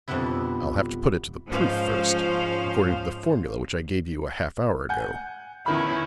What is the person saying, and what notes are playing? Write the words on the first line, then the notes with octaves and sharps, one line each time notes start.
I'll have to put it to the proof first, according to the formula which I gave you a half hour ago.
F2 B2 G3 B3 D4 E4
G#2 F3 C#4 C5 F5
F#5 G#5 G6
E2 D#3 C#4 E4 B5